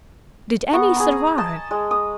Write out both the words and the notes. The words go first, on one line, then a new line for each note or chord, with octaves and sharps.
Did any survive?
B3 A#5 C#6
G#4 A#5
D#5 A5
G#3
D#6